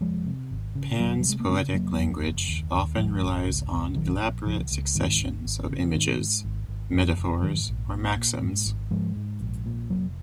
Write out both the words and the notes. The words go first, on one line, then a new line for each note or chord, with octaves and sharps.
Pann's poetic language often relies on elaborate successions of images, metaphors, or maxims.
F1 F3 G#3
C3
G#1
C#3
F1 F#3 A#3
F#3
C3 G#3
A#3
C#3 G#3 C4
F1 F#3 A#3
F2
F#1
D#2
D#2
G#1 F3 G#3
G#1
C#2
C#2
A#1 D#3 F#3
A#1
C#2 F3
C#2
G#2 D#3
G#1
G#1
C#3
G#2 D#3
G#2
G#1
G#1
F2 F3
F1
G#2 D#3 F#3
A#1
A#2
A#2
G#2
G#1
G#2 F3 G#3
G#2
A#1
A#2
F1 F#3 A#3